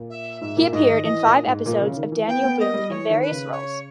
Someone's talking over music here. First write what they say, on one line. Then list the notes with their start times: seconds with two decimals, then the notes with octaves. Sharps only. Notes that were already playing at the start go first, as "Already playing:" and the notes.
He appeared in five episodes of "Daniel Boone" in various roles.
Already playing: A#2
0.09 E5
0.41 G#2 E5
0.57 A#2
0.72 G#2 D#5
0.88 D#3
1.03 E3 D#5
1.24 A#2
1.45 G#2
1.66 A#2
1.80 C#3
1.91 C#3
1.97 D#3
2.12 E3
2.27 B3 G5
2.43 B3
2.58 A#3 D#5
2.74 G3
2.89 E3 C#5
3.10 D#3
3.21 B4
3.31 C#3
3.51 C#5